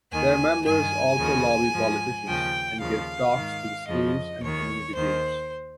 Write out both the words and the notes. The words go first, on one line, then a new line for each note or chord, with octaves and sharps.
Their members also lobby politicians, and give talks to schools and community groups.
D#2 D#3 G#5
G2 D#3 G#5
D#2 C#3 F3
G#2 F3
D#2 C#3 F3 G5
D#2 C#3 F3 F5
G#2 D#3
F2 C#3 F3 D#5
D#2 D#3 C#5
D#2 D#3 C5